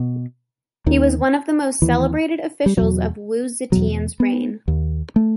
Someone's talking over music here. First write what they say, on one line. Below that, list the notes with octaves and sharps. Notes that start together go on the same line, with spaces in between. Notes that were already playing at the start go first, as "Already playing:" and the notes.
He was one of the most celebrated officials of Wu Zetian's reign.
Already playing: B2
D#2 D#3
D#2 E3
G3
E2 B2 F#3
E2 B2 F#3
B3
D#2
A3